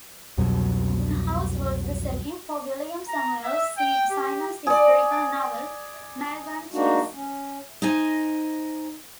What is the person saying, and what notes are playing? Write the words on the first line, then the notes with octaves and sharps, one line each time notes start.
The house was the setting for William Samuel Symonds' historical novel Malvern Chase.
C2 F2 B2 F#3
A#5
E5
G5
G4
G#4 D5
G#3 A#3 D4 D#4 F#4
C#4
D#4 C5 D#5 G#5